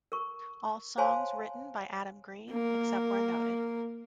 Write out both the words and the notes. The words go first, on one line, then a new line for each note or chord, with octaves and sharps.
All songs written by Adam Green, except where noted.
A#4 C#6
C5 C#5 F5 G#5 A5 C6
A#3 A#4